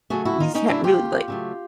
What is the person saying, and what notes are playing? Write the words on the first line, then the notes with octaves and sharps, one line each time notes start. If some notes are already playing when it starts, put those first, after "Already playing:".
you can't really, like
C#3 F#3 A3 F#4 G#4
E4 F#4
D#2 D#4 F4
C#4 D#4
C#3 F#3 A3 D4 E4
F4 G4
D#2
C#3 F#3 A3